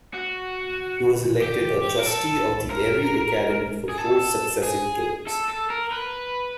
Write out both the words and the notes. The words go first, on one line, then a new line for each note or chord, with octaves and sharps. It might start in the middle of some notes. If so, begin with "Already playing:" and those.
He was elected a trustee of the Erie Academy for four successive terms.
F#4
G4
A#4
A4
A#4
G#4
A4
G#4
A4
A4
A#4
B4